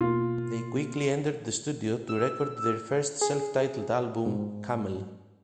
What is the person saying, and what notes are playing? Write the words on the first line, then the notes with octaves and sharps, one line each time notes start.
They quickly entered the studio to record their first self-titled album, "Camel".
B2 A#3 F4
E6
G#4
G#2